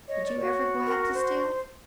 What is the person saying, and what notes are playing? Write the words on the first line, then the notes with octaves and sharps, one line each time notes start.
"Did you ever go out to steal?"
C#5 D#5
D5
F#4
A#4
C5